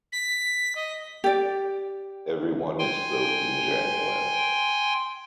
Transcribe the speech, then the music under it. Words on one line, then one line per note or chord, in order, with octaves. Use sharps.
Everyone is broke in January.
B6
D#5
G4 D5
G5 G#5 C6